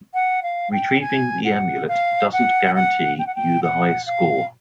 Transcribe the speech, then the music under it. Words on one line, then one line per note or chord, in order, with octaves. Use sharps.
Retrieving the Amulet doesn't guarantee you the high score.
F#5
F5
G5
G#5
F#5
F5
F#5
F#5
G5
F#5
G5
F#5
F5